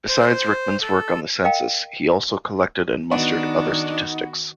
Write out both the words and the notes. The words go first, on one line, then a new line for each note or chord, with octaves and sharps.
Besides Rickman's work on the census, he also collected and mustered other statistics.
C5
A4
A#4 D#5 F5 G5 A#5
D#3 B3 D4 D#4 F#4